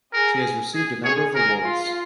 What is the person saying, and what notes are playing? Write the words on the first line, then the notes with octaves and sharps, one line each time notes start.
She has received a number of awards.
G#4 A#4
G#4
G#4 C#5
G#4 A#4
F4